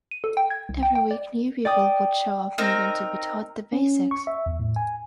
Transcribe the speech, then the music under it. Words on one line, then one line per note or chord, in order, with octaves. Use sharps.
Every week new people would show up needing to be taught the basics.
D#7
A4
G5
G#6
C2
G5
G5
D5
D5 G5 D#6
C4 D#4 A#4
C#4
C#6
E5
E2
A2
G#5